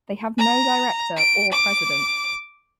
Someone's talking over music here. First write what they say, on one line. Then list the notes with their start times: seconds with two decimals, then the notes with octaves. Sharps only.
They have no director or president.
0.39 A#5
1.17 D7
1.52 D6